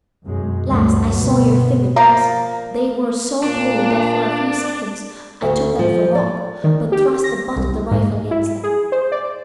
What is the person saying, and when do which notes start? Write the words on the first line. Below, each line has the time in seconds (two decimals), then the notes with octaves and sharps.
At last I saw your finger tips; they were so blue that for a few seconds I took them for rock, but thrust the butt of the rifle against them.
0.25 B1 F#2 G#3
0.65 D2 G2 F#3 A3
1.15 G1 B2 B3
1.96 F3 A#3 D5 A#5
3.43 A#2 D4
5.42 D2
5.79 F3
6.15 D5
6.64 D#3
6.92 G4
7.24 A#6
7.56 C2
7.91 G#2
8.31 E4
8.64 G#4
8.92 C5
9.12 D5